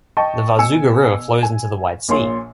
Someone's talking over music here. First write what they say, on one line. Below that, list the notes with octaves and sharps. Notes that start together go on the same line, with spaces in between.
The Varzuga River flows into the White Sea.
D#5 G5 A5 C#6
B2 G#5 E6 C#7
G#5
A#1 A#2 C#5 C6